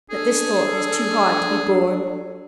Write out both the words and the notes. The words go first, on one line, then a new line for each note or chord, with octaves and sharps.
But this thought was too hard to be borne.
D4 G#4 A4